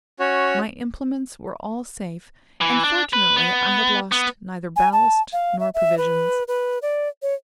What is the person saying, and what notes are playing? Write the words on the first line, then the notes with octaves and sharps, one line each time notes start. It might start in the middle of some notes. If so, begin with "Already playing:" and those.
My implements were all safe, and, fortunately, I had lost neither ballast nor provisions.
C#4 F#4 C#5
E3
D4
B4
B3
B3
G#5
A5
F5
E5
E5
B4
B4
D5
C#5